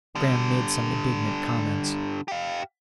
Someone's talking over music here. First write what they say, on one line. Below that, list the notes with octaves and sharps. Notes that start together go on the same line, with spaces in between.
Graham made some indignant comments.
D3 G3
G4 F5